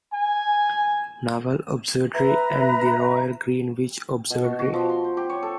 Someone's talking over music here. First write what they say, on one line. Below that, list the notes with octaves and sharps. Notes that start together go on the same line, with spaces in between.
Naval Observatory and the Royal Greenwich Observatory.
G#5
B4 E5 A#5
B2
F#4
F#4
F3
C6
C5
G4
C#5
A4